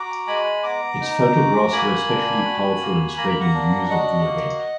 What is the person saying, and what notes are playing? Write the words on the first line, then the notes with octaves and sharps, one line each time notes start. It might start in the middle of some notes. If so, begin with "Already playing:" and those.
Its photographs were especially powerful in spreading news of the event.
Already playing: F#4 A#5 D6
G#3 G#5 B5
B3 A#5 D6
D#4
F#4
A#3 G#5 B5
D4
F#4
A#3
A#3 A#5
B5
F#5 A#5
D4
F#4 D#5 F#5
A#3